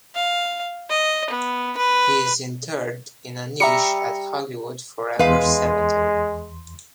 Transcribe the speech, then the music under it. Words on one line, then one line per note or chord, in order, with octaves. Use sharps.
He is interred in a niche at Hollywood Forever Cemetery.
F5
D#5
B3
B4
G3 E5 A#5 D#6 C#7
E2 G#3 B4 F5 C6